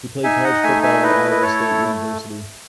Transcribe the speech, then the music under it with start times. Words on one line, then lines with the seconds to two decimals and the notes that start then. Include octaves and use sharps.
He played college football at Iowa State University.
0.24 D#4 E5 G#5
0.43 D#5 F#5
0.63 A3 E5 G#5
0.82 E5 G#5
1.03 E4 B4 D#5
1.31 D#5
1.42 A3 A4 C#5